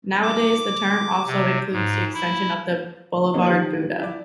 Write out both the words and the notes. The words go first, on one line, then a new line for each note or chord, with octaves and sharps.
Nowadays, the term also includes the extension of the boulevard Buda.
D6
C3
G#2
E4
E3 A#3 D4 B4 C#5 D#5
D#3 F4 G4 F#7
E4 D5